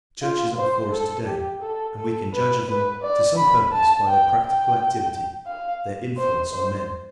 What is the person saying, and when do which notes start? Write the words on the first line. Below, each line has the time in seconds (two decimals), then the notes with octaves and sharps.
The churches are before us to-day, and we can judge of them to some purpose by their practical activity, their influence on men.
0.22 F4
0.58 C5
0.93 A4
1.28 G4
1.62 A4
1.98 A4
2.32 B4
2.68 B4
3.02 D5
3.37 B5
3.72 A5
4.07 G5
4.43 G5
5.47 F5
6.17 C5
6.52 C5